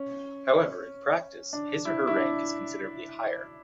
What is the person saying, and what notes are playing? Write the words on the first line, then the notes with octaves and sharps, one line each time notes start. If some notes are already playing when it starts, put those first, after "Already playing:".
However, in practice, his or her rank is considerably higher.
Already playing: C#4
D4
E4
E4
D4